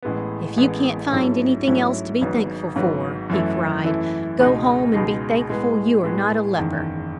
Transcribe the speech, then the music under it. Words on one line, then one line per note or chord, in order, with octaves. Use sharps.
"If you can't find anything else to be thankful for," he cried, "go home and be thankful you are not a leper!"
A1 A2 G#3 B3
A1 A2 G#3 B3
G#2 F#3 A3 C#4 E4
G#2 F#3 A3 C#4 E4
G#1 G#2 F#3 B3
G#1 G#2 F#3 B3
F#2 E3 A3 E4
F#2 E3 A3 E4
C#2 B2 G#3 D#4
C#2 B2 G#3 D#4
A2 G#3 B3
A2 G#3 B3
F#1 E2 D#3